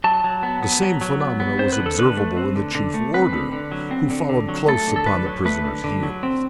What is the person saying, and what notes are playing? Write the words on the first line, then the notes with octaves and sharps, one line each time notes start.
The same phenomenon was observable in the chief warder, who followed close upon the prisoner's heels.
F#3 A5
F#3
B3
B3
F#3
F#3
B3
B3
C4 C5
B4
D3
A4
D3 B4
A3
C4
D3
D3
A3
C4 B4
D3
D3
F#3
C4
D3
D3
F#3
A3 A4
D3
A4
D3 B4
F#3
A3 B4
D3
D3
F#3
C4